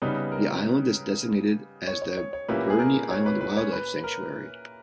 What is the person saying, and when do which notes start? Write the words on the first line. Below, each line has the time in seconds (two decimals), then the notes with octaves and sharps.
The island is designated as the "Birnie Island Wildlife Sanctuary".
0.02 C#3 G3 B3 D#4 B4
0.32 A#4
1.87 C#5
2.02 C#5
2.17 C#5
2.33 C#5
2.48 A#2 A#3 C#4 E4 G4 B4
2.70 G#4
2.79 A#4
3.11 C#5
3.26 B4
3.41 B4
3.57 C#5
3.73 B4
4.04 A#4